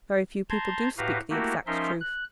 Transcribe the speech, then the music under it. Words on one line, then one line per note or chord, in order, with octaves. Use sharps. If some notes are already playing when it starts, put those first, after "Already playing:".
'Very few people do speak the exact truth.
A5 A#5 C6 G6 G#6
A2 F#4 G4 B4 F5 A#5
A3 A#3 E4 F#4 G4 A#4
F3 C#4 D#4 A#4 E5 C6
F#6